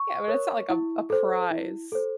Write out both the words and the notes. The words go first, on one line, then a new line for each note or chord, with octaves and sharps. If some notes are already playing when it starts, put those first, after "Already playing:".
yeah, but it's not like a a prize.
Already playing: C#6
A#4 C#5
E4
A4 C5
E4
A4 C5